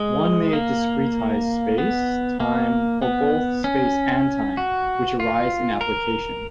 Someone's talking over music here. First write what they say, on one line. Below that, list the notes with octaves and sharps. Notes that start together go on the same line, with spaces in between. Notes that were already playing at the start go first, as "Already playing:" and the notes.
One may discretize space, time, or both space and time, which arise in application.
Already playing: G#3
A#3
B3
A#3
B3
C#4
F#4
F4
A#4